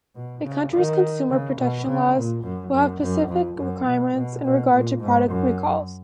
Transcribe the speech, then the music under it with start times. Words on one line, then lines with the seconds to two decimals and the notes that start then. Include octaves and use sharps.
A country's consumer protection laws will have specific requirements in regard to product recalls.
0.15 B2
0.44 C#3
0.73 D#3
1.29 C#3
1.58 B2
1.87 C#3
2.16 A#2
2.44 F#2
2.73 F#2
3.01 F#2
3.29 F2
3.58 F#2
3.87 B2
4.14 B2
4.43 B2
4.72 A#2
5.01 G#2
5.29 F#2